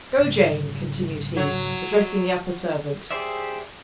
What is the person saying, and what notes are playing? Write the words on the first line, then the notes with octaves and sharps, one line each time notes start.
Go Jane!' continued he, addressing the upper-servant.
G#1 G#2 C#3
F#3
G4 G#4 C5 D5 E5